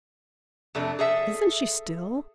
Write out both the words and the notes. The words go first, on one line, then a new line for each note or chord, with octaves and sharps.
"Isn't she still?"
F2 C3 A3 D4
G#4 A4 E5